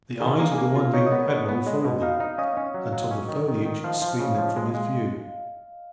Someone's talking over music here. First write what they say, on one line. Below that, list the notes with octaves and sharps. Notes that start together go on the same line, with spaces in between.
The eyes of the wondering Admiral followed them until the foliage screened them from his view.
D#3 G#4
A#3
G#4
A#3 A#4
F4
D#4 C#5
D#5
B3
C#5
B3
B3
G#3 D#5
B2 D#5
D#4 F5
D#4 D#5
C#4 D#5
C#4
F#3
F#3
C#4
D#3
D#3
D#3
F3 F5
F3
C#3
F3
G#3
G#3